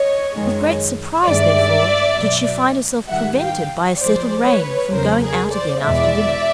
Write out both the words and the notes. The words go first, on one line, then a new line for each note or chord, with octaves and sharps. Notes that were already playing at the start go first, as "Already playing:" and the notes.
With great surprise therefore, did she find herself prevented by a settled rain from going out again after dinner.
Already playing: C#5 D#5
F#2 D#3 G#3
G2 D#3 G#3 D5 E5
B2 F#3
G#2 D#3 G3 E5 F#5
F5 G5
A2 F3 G#3 C5 D5
B4 C#5
E2 C#3 F#3 A#4 C5
G#4 A#4
C5 D5
E2 B2 G#3 D5 E5